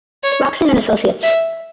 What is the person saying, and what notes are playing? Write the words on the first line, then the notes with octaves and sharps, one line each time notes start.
Locsin and Associates.
C#5
E5